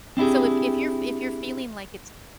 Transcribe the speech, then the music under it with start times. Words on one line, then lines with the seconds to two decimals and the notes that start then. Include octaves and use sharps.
So, if if you're if you're feeling like it's
0.17 C4 D4 E4 G4 G#4